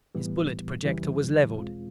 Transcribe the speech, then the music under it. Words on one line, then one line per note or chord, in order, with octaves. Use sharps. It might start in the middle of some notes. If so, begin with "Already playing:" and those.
His bullet projector was leveled.
A2 E3 G3 B3
F2 C#3 E3 G3
E2 B2 G#3 C4 F4